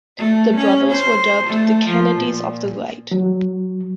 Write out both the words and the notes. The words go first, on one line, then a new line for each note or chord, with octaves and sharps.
The brothers were dubbed "the Kennedys of the Right".
A3
C#4
C5
A3
F3
A#2
F#3